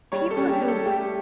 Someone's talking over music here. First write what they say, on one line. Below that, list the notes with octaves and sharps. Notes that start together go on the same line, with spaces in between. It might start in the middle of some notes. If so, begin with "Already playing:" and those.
people who
G3 C#5
A4
C#4
G4
G3
A4
A3 G4